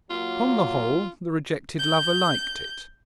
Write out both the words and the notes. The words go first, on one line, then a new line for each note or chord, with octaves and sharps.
Upon the whole the rejected lover liked it.
F#3 A#3 F4
G6